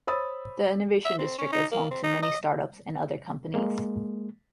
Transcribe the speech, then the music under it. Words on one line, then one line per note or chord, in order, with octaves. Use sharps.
The Innovation District is home to many start-ups, and other companies.
C5 C#5 B5 D#6 E6 A6
E5
C4
C#4
D#4
A#3
C4
D#4
D#5
G#3 A#3